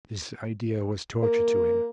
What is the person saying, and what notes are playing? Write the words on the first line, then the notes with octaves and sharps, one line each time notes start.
This idea was torture to him.
A#3